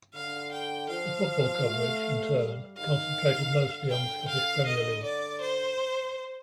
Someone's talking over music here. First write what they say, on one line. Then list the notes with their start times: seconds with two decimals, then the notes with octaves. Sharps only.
The football coverage, in turn, concentrated mostly on the Scottish Premier League.
0.14 D3 F5
0.52 G5
0.89 F3 F5
1.65 A3
2.39 G3
2.78 D#3 F5
3.53 D3
3.90 D3 G5
4.28 F5
4.65 D3 D#5
5.03 D5
5.41 C5